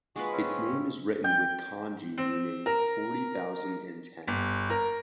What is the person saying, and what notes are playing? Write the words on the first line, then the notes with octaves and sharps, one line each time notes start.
Its name is written with kanji meaning "forty thousand and ten".
G#3 F4 F#4 B4
C4 C#4
G5
C4
A#4
G1
A#4